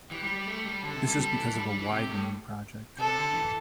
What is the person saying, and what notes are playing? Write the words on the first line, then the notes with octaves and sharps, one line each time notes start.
This is because of a widening project.
E3 G4
G3
G3
A3
G3
D3 A4
C3
G3
G3
E3
G3
G3
E3
C3 G4
A2
C3 A4
D3
E3